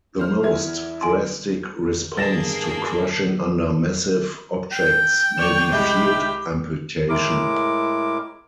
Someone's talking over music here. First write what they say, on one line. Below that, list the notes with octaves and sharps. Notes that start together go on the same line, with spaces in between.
The most drastic response to crushing under massive objects may be field amputation.
C5 F6
E2 E4 G#6
G#5 C6
G2 A#3 D4 G#4 A5 A6 A#6 E7
G5
C#5 D5 E7
C2 G#3 G4 B5
A2 G#3 E4 A#4 D6